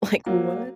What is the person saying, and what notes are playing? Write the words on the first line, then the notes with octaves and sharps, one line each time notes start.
Like, what?
F#3 A#3